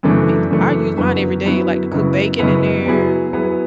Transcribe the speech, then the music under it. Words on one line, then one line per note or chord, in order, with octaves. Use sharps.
Meat, I use mine every day, like to cook bacon in there,
F#2 C#3 E3 A3 D4
F#2 C#3 E3 A3 D4
F#2 D3 F#3 B3 E4
F#2 D3 F#3 B3 E4
F#2 C#3 G#3 B3 E4
F#2 C#3 G#3 B3 E4
F#3 B3 E4 G#4
F#3 B3 E4 G#4